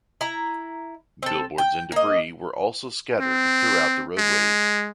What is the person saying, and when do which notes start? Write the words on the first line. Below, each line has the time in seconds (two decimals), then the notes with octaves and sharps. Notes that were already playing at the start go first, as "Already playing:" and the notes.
Billboards and debris were also scattered throughout the roadways.
0.21 E4 A#5
1.23 C4 A4
1.58 G5
1.92 A#3 D#5
3.20 C4
4.18 G#3